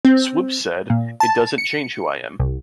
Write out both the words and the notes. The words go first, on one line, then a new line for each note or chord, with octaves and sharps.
Swoopes said, it doesn't change who I am.
C4
A#2
A5
C#7
C2